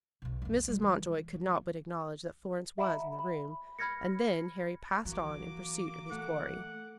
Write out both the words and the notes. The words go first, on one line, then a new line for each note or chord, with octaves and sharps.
Mrs. Mountjoy could not but acknowledge that Florence was in the room, and then Harry passed on in pursuit of his quarry.
B1 B2
F2 A#3
G3 G#3
E3
F3
D#5 E5 F#5 A#5 B5
B5
B5 F6 G#6 A#6 C#7
E3 F#3 A#3 D6
A3 F#5